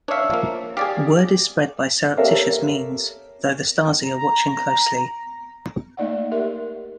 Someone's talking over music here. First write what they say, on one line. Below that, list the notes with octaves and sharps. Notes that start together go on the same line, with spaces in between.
Word is spread by surreptitious means, though the Stasi are watching closely.
D4 C#5 E5 F5
F3 A#3
G4 G#4 D5 F5
G4 A4 A#4 C#5 E5 F5
A#5
A3 A#3 D#4 D5 D#5 F#5
G4 A#4 E5 C6